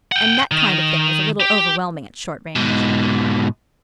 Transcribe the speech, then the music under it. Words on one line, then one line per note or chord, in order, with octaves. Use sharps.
And that kind of thing is a little overwhelming at short range.
F#5 G5
D#3
G4
G#2 B2